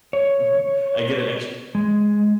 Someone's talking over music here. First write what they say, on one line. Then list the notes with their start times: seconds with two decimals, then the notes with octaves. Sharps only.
Mhm, I get it extr
0.13 C#5
1.75 G#3